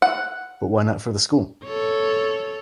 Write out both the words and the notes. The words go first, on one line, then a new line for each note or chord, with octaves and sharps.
But why not for the school?
F#5
A4 C#5